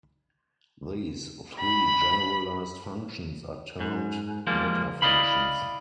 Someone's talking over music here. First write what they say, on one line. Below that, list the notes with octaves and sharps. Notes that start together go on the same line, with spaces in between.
These three generalised functions are termed "metafunctions".
B5
G#2
F3 G3 G#3 A#3
E4 D5 D#5 F5 B5